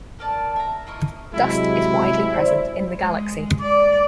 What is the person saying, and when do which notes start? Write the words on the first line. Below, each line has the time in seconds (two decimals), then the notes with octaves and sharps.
Dust is widely present in the galaxy.
0.19 A4 A#4 D5 A5
0.56 E5 A#5
0.87 A#3 E4 D#5 C#6
1.34 C3 F#3 G#3 E4
2.33 C5 D5
3.00 G#3
3.61 D5